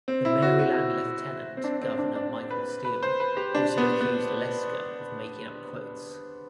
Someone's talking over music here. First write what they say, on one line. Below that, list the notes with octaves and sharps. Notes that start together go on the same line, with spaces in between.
The Maryland Lieutenant Governor Michael Steele also accused Olesker of making up quotes.
C4
E4
F#4
F#4
C4
D4
C4
D4
D4
B4
B4
C5
B4
G4
D4
B3
B3